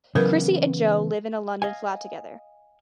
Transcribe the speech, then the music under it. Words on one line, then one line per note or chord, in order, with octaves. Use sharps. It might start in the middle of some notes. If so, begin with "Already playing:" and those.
Chrissy and Jo live in a London flat together.
C#3 E3 F#3 B3 A#4 B4
D#5 F5 G#5